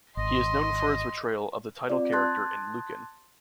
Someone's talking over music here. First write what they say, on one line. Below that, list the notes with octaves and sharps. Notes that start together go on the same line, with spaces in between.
He is known for his portrayal of the title character in "Lucan".
G#1 D#5 C6
C4 F4 D5
A5 C6 D#6 F#6 G#6 A6